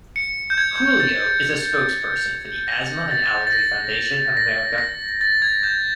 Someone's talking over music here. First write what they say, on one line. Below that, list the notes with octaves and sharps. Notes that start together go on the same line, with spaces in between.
Coolio is a spokesperson for the Asthma and Allergy Foundation of America.
C#7
G6
G#6
A6
A#6
A6
A6
A#6
A#6
A#6
A6
G#6
G6